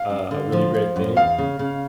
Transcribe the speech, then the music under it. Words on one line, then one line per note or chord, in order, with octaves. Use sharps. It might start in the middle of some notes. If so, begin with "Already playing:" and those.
uh, a really great thing.
Already playing: F5
F#2
D3
F3
F3
F#2
E2 F5
C#3
C#3